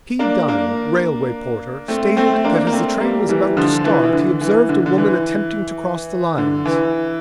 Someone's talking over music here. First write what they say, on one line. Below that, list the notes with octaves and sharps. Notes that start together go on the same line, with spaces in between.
P. Dunne, railway porter, stated that as the train was about to start he observed a woman attempting to cross the lines.
A#3 D4
A#3 D4
A3 C4
A3 C4
C4
A#3 D4
A#3
A3 C4
G3 A#3
E3 G3
D3 F3
E3
E3
D3
E3
D3
D3
E3
D3
E3